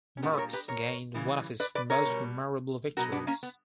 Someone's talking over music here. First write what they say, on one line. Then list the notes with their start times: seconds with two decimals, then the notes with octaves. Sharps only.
Merckx gained one of his most memorable victories.
0.17 C#4
0.22 A#2 G3 B3 D4
0.33 B4
0.38 A#4 C#5
0.53 G4 B4
0.68 A#4 C#5
1.14 C#3 E3 G3
1.60 B4 D5
1.75 B4 D5
1.90 A#4 C#5
2.05 B2 G3
2.97 B2 F#3 F#4 A#4
3.12 B3 D4
3.27 A#3 C#4
3.43 B3